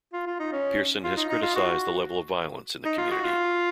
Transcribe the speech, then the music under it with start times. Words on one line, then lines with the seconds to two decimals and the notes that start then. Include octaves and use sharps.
Pearson has criticised the level of violence in the community.
0.13 F4
0.26 F4
0.39 D#4
0.53 C#4
1.04 F4
1.17 D#4
1.29 D#4
1.42 F4
1.56 F#4
2.85 D#4
2.98 F4
3.11 F#4
3.24 F4